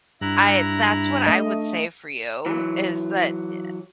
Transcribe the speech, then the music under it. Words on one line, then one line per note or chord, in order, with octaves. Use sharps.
I that's what I would say for you, is that, uh uh,
G2 D4 E4 A#5 F#6
A3 D#5
E3 F#3